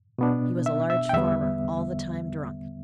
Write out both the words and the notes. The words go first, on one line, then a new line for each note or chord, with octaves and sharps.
He was a large farmer, all the time drunk.
B2 B3 D4
E5
E5
G5
E2 D3 G3 B3 E5